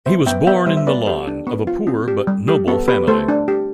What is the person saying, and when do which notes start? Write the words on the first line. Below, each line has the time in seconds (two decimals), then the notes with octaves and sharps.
He was born in Milan of a poor but noble family.
0.06 B3 C5 E5
0.26 B3 E5 G5
0.47 B3 E5 G5
0.66 G3 C5 E5
0.77 E5
0.87 B3 B4 D5
1.07 G4 A4
1.28 D4
1.47 B3
1.67 F4
1.87 C4
2.08 G4
2.27 G3
2.48 G4
2.68 B3 A4
2.88 B3 G4 B4
3.08 A3 A4 C5
3.28 D4
3.48 G4